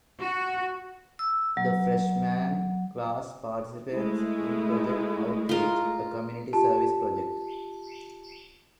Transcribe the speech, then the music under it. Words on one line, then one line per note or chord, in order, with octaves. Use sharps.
The freshman class participates in Project Outreach, a community service project.
F#4
E6
F#3
G#3 A3 E4
F4 A#4
F4 G4 A5